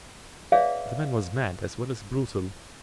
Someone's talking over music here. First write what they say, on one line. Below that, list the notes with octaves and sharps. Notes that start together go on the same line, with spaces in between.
"The man was mad as well as brutal."
G#4 B4 C#5 D5 E5 F5